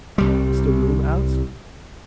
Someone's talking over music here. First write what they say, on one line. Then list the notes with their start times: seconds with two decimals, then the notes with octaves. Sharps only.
Mr Bloom asked.
0.18 C2 G3